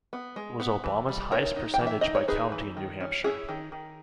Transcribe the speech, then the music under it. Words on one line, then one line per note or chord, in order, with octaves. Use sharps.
It was Obama's highest percentage by county in New Hampshire.
B3
G#3
B3
E3
G3
D#4 A#4 C#5
D#4
G5
E3
E5
D#4 D#5
C#5
D#4 G#4 B4
E3
D#3
C#4
C#4 E4 G#4
D#3
D#3